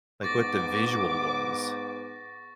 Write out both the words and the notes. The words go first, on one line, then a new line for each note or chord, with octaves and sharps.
like, what the visual was.
G#2 B3 C#6 D6 A6 A#6